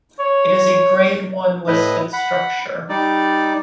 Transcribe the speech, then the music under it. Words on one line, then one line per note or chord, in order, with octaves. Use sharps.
It is a grade one listed structure.
C#5
A2 E4 B4 D#5
F#5 B5
G3 D#4 D5